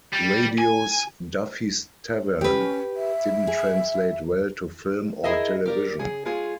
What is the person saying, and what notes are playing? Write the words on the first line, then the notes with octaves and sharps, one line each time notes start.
Radio's "Duffy's Tavern" didn't translate well to film or television.
G3
G#5
C#4 G4 B4
E5
G#4
E4 G#4 A#4 D#5 E5
G4 A#4 D5
C#3 G#4
G#3 F4 G#4 C#5